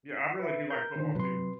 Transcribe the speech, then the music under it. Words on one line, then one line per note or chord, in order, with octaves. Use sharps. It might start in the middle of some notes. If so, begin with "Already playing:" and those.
Yeah, I really do like football too.
B4 E5
A#4 G6
D3 D#3 C5
C3 F#3 B4 C6